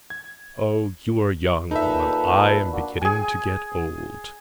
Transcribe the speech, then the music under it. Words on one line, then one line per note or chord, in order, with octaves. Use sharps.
Oh, you are young while I am beginning to get old.
G#6
A#2 D#4 A4 B4 E5
A#3 D4 F#4
G#4 G#5